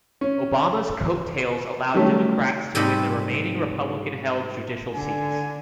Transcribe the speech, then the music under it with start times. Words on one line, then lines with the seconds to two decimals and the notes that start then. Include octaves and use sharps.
Obama's coattails allowed Democrats to win the remaining Republican held judicial seats.
0.21 C#4
1.94 D#3 F#3 G3 A3 C#4
2.75 G#2 C3 G3 A3 D#5 B5
4.95 D3 G#5